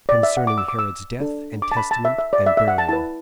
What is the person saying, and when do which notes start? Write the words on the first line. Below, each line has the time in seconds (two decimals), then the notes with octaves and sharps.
Concerning Herod's Death, And Testament, And Burial.
0.09 D5
0.23 E5
0.37 F#5
0.47 D6
0.58 E6
0.68 D6
0.79 E6
1.20 D4 A4
1.62 D6
1.72 A5
1.77 B5
1.91 A5
2.05 E5
2.18 E5
2.33 D5
2.46 E5
2.57 E5
2.68 F#5
2.78 A5
2.89 E4 B4 A5